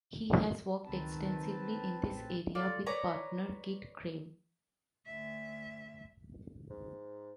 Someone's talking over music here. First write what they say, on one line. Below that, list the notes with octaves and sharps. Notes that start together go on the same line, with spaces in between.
He has worked extensively in this area with partner Kid Creme.
C#2 D#3 C4 B4 A5
A1
F4 A4 D5
B4 C#5 D5 A#5
D2 E5
G#2